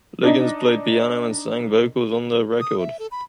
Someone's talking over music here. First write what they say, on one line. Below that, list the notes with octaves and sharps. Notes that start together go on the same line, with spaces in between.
Liggins played piano and sang vocals on the record.
D4 D#4 D#5
D#6
E5
A4
B5